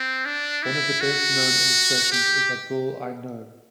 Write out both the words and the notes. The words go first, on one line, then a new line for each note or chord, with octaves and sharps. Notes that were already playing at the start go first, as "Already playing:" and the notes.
One of the best known of his illustrations is "A Girl I Know".
Already playing: C4
D4
E4
F#4
G4